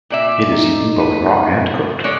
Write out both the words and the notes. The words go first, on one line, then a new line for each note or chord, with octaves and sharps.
It is eaten both raw and cooked.
A#2 D5 E5
D#4
B4
G#3 C#5 D5